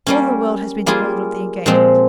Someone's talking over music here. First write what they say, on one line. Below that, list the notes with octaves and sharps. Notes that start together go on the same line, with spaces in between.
All the world has been told of the engagement.
G3 A#3 C#4
G3 A#3 F4 G#4
A#2 F3 G#3 C4